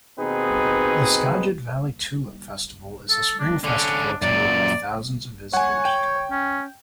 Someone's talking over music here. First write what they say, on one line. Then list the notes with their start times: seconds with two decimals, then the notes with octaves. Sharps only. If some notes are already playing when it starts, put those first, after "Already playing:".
The Skagit Valley Tulip Festival is a spring festival attended by thousands of visitors.
0.19 D#2 B2 C4 D#4 G#4 B4
3.10 A4
3.39 D4
3.64 D3 C#4 D4
4.22 F#2 A#2 D5
5.53 C#5 F#5 G#5
5.85 G5
6.31 C#4